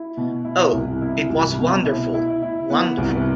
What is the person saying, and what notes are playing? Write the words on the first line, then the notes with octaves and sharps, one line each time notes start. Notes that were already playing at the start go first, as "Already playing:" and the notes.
Oh, it was wonderful — wonderful.
Already playing: E4
B2
E4
C2
E4
C2
B2
E4
E4
E4
B3
C2